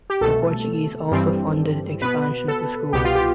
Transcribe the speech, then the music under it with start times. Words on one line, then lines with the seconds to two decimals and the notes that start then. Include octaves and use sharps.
The Portuguese also funded the expansion of the school.
0.10 G4
0.21 C2 B2 A3 A4
1.11 G2 E3 G3 C4
2.02 B2 B3 B4
2.48 A4
2.93 C2 B2 B3 G4
3.05 F4
3.15 G4